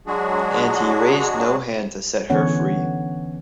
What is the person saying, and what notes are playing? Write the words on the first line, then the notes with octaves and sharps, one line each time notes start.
And he raised no hand to set her free.
F#3 G#3 D4 F#4 G#4
D3 E3 B3 C#4 C#5 F#5